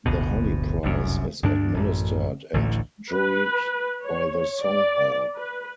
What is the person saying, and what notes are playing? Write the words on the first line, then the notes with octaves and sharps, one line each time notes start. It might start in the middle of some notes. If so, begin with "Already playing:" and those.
The Holly Prize is administered and juried by the SongHall.
D1 G1 D2 B2
F1 C2 F#2
D2 G2 D4
A1 F#2
A1 D2 A2
B4
C#5
D5
B4